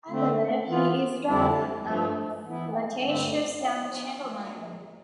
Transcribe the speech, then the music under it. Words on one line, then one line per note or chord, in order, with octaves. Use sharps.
I believe he is rather a flirtatious young gentleman.
D3 A3 C4
E3 B3 F4
F2 D3 G3 C4 E4
G2 F3 A3
E3 B3 E4
G2 D3 A3 C4